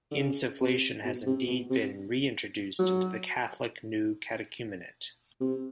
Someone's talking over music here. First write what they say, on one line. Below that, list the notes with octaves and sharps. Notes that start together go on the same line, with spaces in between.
Insufflation has indeed been re-introduced into the Catholic new catechumenate.
D3
C#3
C3
B2
C3
B2
C3
F#3
C3